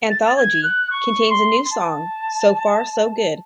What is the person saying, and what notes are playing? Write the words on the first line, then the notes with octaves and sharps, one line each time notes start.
"Anthology" contains a new song, "So Far So Good".
A6
A6
G#6
F#6
C#6
C6
C6
A5